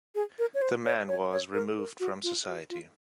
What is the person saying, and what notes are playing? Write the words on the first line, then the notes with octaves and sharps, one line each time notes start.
The man was removed from society.
G#4
A#4
C#5
C5
C#5
C#5
C#5
A#4
A#4
F#4
F4
F#4
F4